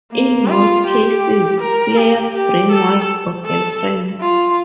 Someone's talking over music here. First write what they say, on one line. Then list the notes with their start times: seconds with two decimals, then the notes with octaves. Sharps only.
In most cases, players bring wives or girlfriends.
0.12 A#3
0.48 F4
0.87 G4
1.61 A#4
1.98 G4
2.34 G4
2.72 A4
3.46 A4
4.21 F4